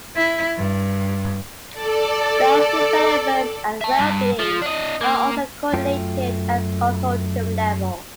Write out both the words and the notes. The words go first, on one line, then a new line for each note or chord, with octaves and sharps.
Staff development and well-being are also coordinated at consortium level.
E4
G2
A4 D5
E5 A5
G2
F3
D4 D#5
A#3
F#2 A3 F4 G5